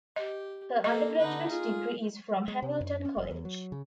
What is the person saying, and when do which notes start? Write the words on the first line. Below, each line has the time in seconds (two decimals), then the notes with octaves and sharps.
Her undergraduate degree is from Hamilton College.
0.16 G4 D#5
0.84 A#3 A4 D#5
1.18 D3 D#4 B4
1.50 F4 G#4
2.48 G#3
2.62 C3
2.81 F#2
3.05 C#4
3.17 F#1
3.31 E2
3.45 F#3
3.72 C#3